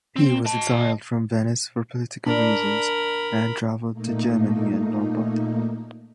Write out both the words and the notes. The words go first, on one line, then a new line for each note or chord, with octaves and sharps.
He was exiled from Venice for political reasons, and traveled to Germany and Lombardy.
C4
D#5 A5
D4 A#4 B5
A#2 A3 A#3 D#4